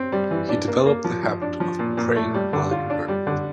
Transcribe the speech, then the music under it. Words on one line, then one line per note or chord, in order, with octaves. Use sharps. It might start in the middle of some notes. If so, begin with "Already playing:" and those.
He developed the habit of praying while he worked.
Already playing: C4
G3
E3
D4
A#3
A#3
F3
F3
D4
F3
A#2
A#2
A3
G3
D3
F4
D4
G3
D3